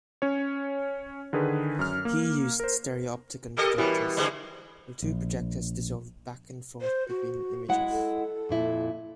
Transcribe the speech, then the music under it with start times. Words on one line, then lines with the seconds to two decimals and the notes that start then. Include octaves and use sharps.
He used stereopticon projectors, where two projectors dissolved back and forth between images.
0.22 C#4 C#5
1.33 D3 D#3 G#4 B4
1.79 F#2 F6
2.05 A#3
2.60 A#4 C5
3.58 G4 A4 A#4 D#5
3.78 B2 E3 G3 B3
4.17 G2 D3 G#3
5.02 A#1
6.82 C5
7.09 F#4
7.69 G#3 E4 F#5
7.91 A4
8.49 F2 A#2 E4